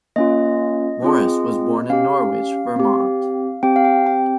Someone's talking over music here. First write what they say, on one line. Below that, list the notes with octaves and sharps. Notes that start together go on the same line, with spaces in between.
Morris was born in Norwich, Vermont.
A#3 C#4 F4 D#5
C4 F4 G#4
C#4 G4 F5
C4 G4
C4 G4 G5
F5
G5
G5